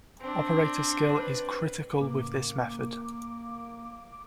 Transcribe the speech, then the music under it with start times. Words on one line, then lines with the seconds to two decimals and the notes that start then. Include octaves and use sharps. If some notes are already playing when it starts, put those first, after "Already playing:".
Operator skill is critical with this method.
0.21 C4 D4
1.17 B4
2.01 A2 C#3 A#3 D6